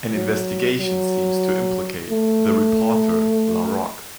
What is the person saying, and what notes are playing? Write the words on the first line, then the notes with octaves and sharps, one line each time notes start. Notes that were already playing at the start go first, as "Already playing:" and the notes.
An investigation seems to implicate the reporter, LaRoque.
F#3
F#3
A3